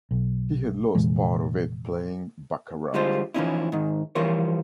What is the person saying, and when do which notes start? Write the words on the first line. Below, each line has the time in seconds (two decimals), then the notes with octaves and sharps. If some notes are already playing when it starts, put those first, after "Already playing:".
He had lost part of it playing baccarat.
0.11 B1
0.95 F1 A#2 E3 G#3
2.94 D3 G3 G#3 F4 C5
3.34 E3 F3 A3 C#4 D#4 E4
3.72 G#2 D#3
4.15 E3 F3 G3 F4 A#4 C#5